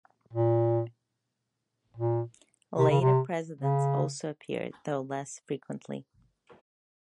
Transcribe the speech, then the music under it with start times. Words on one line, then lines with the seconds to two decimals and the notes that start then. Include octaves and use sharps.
Later presidents also appeared, though less frequently.
0.33 A#2
1.97 A#2
2.78 C3
2.90 C#3
3.02 C3
3.61 C#3